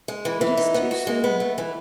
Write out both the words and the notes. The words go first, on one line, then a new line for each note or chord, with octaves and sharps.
It is too soon.
G#3
E3
E3
D#4
B3
F#4
G#3
B3
A3
E3